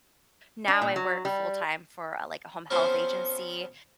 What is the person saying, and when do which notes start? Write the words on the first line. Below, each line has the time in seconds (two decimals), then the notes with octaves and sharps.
now I work full-time for a like, a home health agency,
0.68 D4
0.81 A#2
0.96 F#3
1.25 G3
2.71 C#3 F3 B3 C4 C5